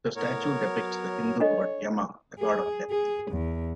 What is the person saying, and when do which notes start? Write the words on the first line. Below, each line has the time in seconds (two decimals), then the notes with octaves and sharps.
The statue depicts the Hindu god Yama, the god of death.
0.16 A2 B3 A#4 C#5
0.56 F#3
1.40 D4 A4 C#5 D#5
2.39 G#4
2.91 G#4
3.32 E2